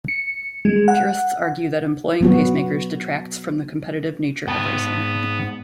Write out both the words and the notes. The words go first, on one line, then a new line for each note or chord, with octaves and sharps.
Purists argue that employing pacemakers detracts from the competitive nature of racing.
C#7
G#3
F#5
F#3 B3 F#4
G#2 B3 G5 A5